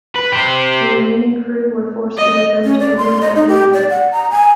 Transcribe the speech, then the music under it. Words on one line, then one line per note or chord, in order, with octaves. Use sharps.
The remaining crew were forced to return to England empty-handed.
B4
G4 C5
D#5
C#4
D5
C6
D#5
D#4
G4
D5
F#5
A#5
G#5